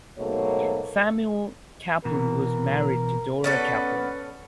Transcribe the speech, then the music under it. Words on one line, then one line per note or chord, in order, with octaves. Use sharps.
Samuel Caplan was married to Dora Caplan.
G#2 B2 F#3 A3 A#3 C#5
B2 E3 A#4
B3 C#4 A4 B4 D5